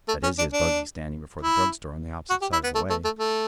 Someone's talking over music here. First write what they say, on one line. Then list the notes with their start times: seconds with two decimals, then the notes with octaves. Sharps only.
"That is his buggy standing before the drug-store on the opposite side of the way."
0.08 A3
0.23 C#4
0.38 D4
0.53 D4
1.41 E4
2.30 F#4
2.41 G4
2.52 E4
2.64 B3
2.75 A3
2.90 A3
3.04 A3
3.19 A3